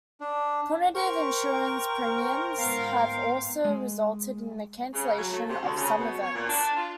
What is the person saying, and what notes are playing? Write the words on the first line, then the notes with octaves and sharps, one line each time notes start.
Punitive insurance premiums have also resulted in the cancellation of some events.
D4
A#4 C5 G5 C#6
G#2 B3 F5
G#3
C#3
F#3
A3
C3
D2
C#3
B2
C#5
A#2
D4
F4